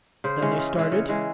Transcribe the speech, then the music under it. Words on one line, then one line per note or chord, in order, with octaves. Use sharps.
"Then they started?"
C#3 C5
E3 G#3 C#4
C#3
E3 G#3 C#4
C#3 C#5
E3 G#3 C#4